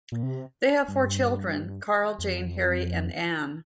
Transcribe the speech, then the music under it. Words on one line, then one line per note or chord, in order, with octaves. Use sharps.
They have four children: Carl, Jane, Harry, and Ann.
A#2
C3
G2
F2